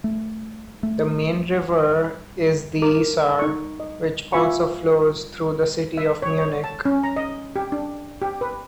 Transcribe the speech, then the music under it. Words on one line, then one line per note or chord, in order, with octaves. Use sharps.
The main river is the Isar, which also flows through the city of Munich.
A3
A3
D#4 A#4 D6
D#4 C#6
D#5
F4 E5 G#5 B5 C#6
E5
C#5
C#5
A5
C#4
A#5
D#5
G4
D4
G4
B4